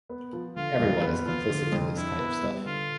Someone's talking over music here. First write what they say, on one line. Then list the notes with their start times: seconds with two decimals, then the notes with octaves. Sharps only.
Everyone is complicit in this kind of stuff.
0.09 B3
0.33 F3
0.56 D3 F4
0.79 F2
1.02 B3
1.26 F3 F4
1.49 D3
1.72 F2
1.96 D4 E4
2.19 B3
2.42 G3
2.65 D3 F4